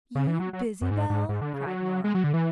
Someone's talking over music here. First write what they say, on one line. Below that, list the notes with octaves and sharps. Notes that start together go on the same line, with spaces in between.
"You busy, Belle," cried Nora.
C#3
E3
F#3
F#3
F#2
G#2
G#2
G#2
D3
C#3
F#3
G#3
F#3
D3
E3